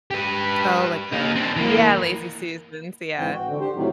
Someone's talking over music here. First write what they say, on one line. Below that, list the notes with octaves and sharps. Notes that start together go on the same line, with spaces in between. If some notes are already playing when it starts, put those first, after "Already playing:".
Oh, like a yeah, Lazy Susans yeah.
G4 B4
A#3 D#4
C4 D4
E3 A#3
G#2 E3 C4 G5
F#4
D3
G4 C5
A2 C3 D#3 F#3